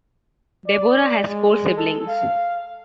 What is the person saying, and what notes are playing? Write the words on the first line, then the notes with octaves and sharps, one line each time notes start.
Deborah has four siblings.
D5
G#3
A4
F5